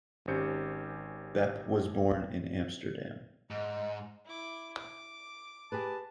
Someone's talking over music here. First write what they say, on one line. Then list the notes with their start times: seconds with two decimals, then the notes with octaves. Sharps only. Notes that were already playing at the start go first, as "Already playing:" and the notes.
Bep was born in :Amsterdam.
0.28 G#1 C#4 G4 C5 G6 C#7
3.50 G#2 D#5
4.25 E4 D6
4.78 D6
5.72 G4 G#4 B4 A5